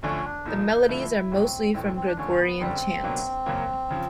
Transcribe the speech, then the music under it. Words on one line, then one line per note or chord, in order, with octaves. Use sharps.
The melodies are mostly from Gregorian chant.
D2 D3 F3 A3 C#4
D4
B1 A#2 F3 D#4
D3 F3 A3 E4
B1 A2 F#3 C4
A#1 A2 E3 A3 C4
C4
C4
D4
D2 D3 F3 C#4
B3
G1 F#2 D3 G3 C4
C#2 B2 F#3 A#3 D4
F#2 C#3 F#3 A#3
C#3 F3